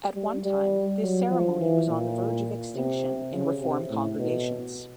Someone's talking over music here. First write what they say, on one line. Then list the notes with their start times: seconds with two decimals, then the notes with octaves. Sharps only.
At one time, this ceremony was on the verge of extinction in Reform congregations.
0.15 G3
0.44 G3
1.02 F#3
1.30 F3
1.60 E3
1.89 A#2
2.75 C3
3.32 C#3
3.60 C3
3.90 A2
4.18 B2